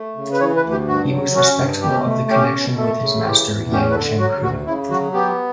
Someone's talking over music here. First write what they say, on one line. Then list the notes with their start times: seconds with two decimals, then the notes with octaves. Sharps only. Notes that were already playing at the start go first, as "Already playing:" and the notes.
He was respectful of the connection with his master, Yang ChengFu.
Already playing: A3
0.16 C#3
0.33 B4
0.40 E3 C#5
0.56 B4
0.64 D2
0.72 G4
0.88 G2 F#4
1.11 F#3
1.35 C#4 F#4
1.58 G2
1.82 B2 G4
2.06 A3
2.30 C#4 G4
2.53 B2
2.77 A3 A4
3.01 C#3
3.18 A4
3.24 E3 G4
3.48 E2
3.72 C#4 G4
3.91 B4
3.95 D3 A4
4.19 F#3 F#4
4.43 D2 F#4
4.66 C#3 E4
4.90 F#3 F#4
5.13 B3 G4